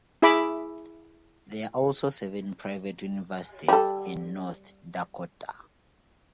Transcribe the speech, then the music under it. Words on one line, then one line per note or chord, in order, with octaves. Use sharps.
There are also seven private universities in North Dakota.
E4 G#4 E5 B5 D6
G3 A4